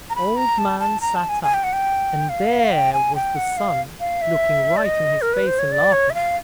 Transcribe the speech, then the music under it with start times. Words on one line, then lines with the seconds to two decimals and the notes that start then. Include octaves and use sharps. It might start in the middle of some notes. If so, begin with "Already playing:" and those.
OLD-man sat up and there was the Sun looking right in his face and laughing.
0.10 A#5
0.16 B5
0.37 A#5
0.58 A5
0.80 A5
1.01 A#5
1.15 A5
1.29 G#5
1.43 G#5
1.54 G5
1.64 F#5
1.73 G5
2.29 F5
2.72 G5
2.93 G#5
3.15 G5
3.36 F#5
3.57 F5
4.00 F5
4.22 E5
4.77 D5
4.85 D#5
5.22 A#4
5.34 B4
5.47 C5
5.59 C#5
5.72 D5
5.92 C#5
6.10 E5
6.14 F5